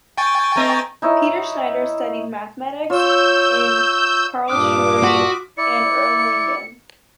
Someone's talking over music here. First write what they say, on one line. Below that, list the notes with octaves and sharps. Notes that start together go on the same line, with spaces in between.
Peter Schneider studied mathematics in Karlsruhe and Erlangen.
G5 G#5 C#6 A6
A3 B3 D#5 A#5
D#4 E4 C#5 D#5
F4 C#5 E6 G6
G2 A#2 D4 D6 D#6 F6 F#6
F#4 C6 B6
E4 D5 C#7